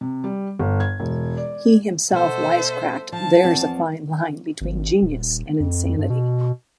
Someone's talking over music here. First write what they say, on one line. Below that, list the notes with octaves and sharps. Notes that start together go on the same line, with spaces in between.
He himself wisecracked There's a fine line between genius and insanity.
C3
G3
G1
G#6
E1
D5
B2 A4 C5 E5
F3 A5
E2 F3 C4
G#1
D#1
F2
F2
G2
B2